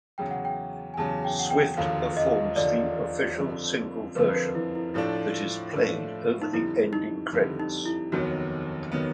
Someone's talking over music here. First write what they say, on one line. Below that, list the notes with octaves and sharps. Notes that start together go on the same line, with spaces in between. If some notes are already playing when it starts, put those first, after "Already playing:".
Swift performs the official single version that is played over the ending credits.
E2 C#3 F#3 G5
F#5
G5
G#5
E2 C#3 F#3 A5
G5
F#5
G5
E1 D#2 D3 F3 F5
D#5
E1 D#2 D3 F3 D5
F2 D3 F3
F2 D3 F3 B4
A#4
E4
E4
A2 F3 A3 D4 E4
A2 F3 A3 D4
D#4
F2 D3 G3 E4
D#4
F2 D3 G3
D#4
E4
F1 D#2 D#3 F#3 B3 F#4
D#3 F#3 B3